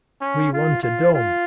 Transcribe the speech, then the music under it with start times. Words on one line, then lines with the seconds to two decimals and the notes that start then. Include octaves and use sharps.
We want a dome!
0.21 C#4
0.53 F4
0.83 F4
1.14 F4